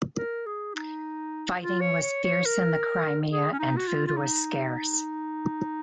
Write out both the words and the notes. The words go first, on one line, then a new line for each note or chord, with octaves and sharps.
Fighting was fierce in the Crimea and food was scarce.
A#4
G#4
D#4
F4
C#5
C#5
C#5
A#4
G#4
C#4
D#4
F#4
F4
F4
D#4